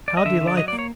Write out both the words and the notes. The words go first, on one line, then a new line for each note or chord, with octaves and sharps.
How delightful!
D5
D#5
D3 E5
D3
D5
F#3 D#5
D5
A#3
C#5